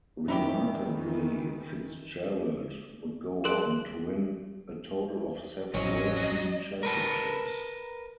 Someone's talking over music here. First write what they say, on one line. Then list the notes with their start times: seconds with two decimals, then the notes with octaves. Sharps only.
Remarkably Fitzgerald would go on to win a total of seven World Team Championships.
0.28 D#3 E3 D#4 E4 G4
3.44 G#4 A#4 C6 F#6 D7 F#7
5.74 A1 F2 F#3 C#4 D#5
6.83 A#4 B4 A5